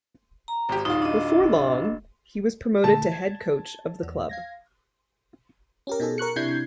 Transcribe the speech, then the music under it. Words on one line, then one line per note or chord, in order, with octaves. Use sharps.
Before long, he was promoted to head coach of the club.
A#5
G#1 G4
D1 D#4 F4
D4 D#5
A#2 D3 A3 A5
G#6
E2
F5 G#6 A#6
C#4 G4 A#4
B2 D#4 G#4 A4
A#4 C#6 F#6 C#7
C3 D4 E4 G6 G#6 C7